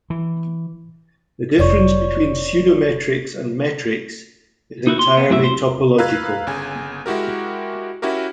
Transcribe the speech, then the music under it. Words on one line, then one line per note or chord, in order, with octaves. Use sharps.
The difference between pseudometrics and metrics is entirely topological.
E3
F1 C#5 D5 C#6
D#4 E4 F#4
C6
B3
F#2 A2 C#3 E4 F#4 E5
C5
B4 F5 A#5 E6 F#6 G#6
G1 C#3 G#5
G#3 E4 F#4 G4 A#4
C#4 E4 F#4 G4 A#4